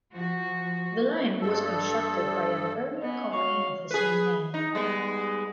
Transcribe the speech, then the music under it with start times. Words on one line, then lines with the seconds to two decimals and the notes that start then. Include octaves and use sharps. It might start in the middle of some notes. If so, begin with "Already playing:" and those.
The line was constructed by an earlier company of the same name.
0.12 F3 F#4
1.41 G2 A4
3.02 B3 C#4 D#5
3.33 F#4 C#5 F5 C#6
3.91 G#4 B4
4.54 D#4
4.75 G3 G#3 B3